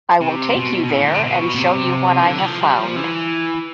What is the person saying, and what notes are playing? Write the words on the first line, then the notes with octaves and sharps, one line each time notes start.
I will take you there and show you what I have found.
C3
B2
B2
A2
D3
C3
B2
B2
C3
E3
D3
E3
F3
G3
F3
E3